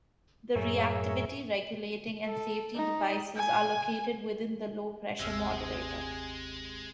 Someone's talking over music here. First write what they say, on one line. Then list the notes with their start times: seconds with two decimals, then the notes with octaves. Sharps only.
The reactivity regulating and safety devices are located within the low-pressure moderator.
0.56 F#2 A2 G#4 A#4 C#5 E5
2.25 A4
2.75 D#4
3.36 G#5
5.20 G1 D#2 C3 G#3 G#4 E5 F5